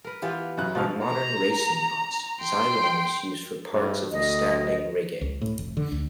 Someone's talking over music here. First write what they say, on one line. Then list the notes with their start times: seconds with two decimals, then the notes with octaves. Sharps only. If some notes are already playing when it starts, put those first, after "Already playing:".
On modern racing yachts Zylon is used for parts of the standing rigging.
0.04 A#4 B4
0.22 E3 B3 F4 G4
0.58 F#2 C#3 F#6
0.75 B2 F3 F6
1.06 A#5
2.42 G5 C6
3.73 G2
4.12 D2 D#5
5.21 C#2
5.41 A2
5.59 F1
5.77 D3
5.92 D2